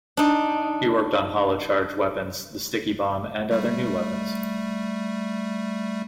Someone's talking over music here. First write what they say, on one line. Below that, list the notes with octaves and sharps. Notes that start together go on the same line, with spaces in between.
He worked on hollow charge weapons, the sticky bomb and other new weapons.
D4 D#4
G3 A3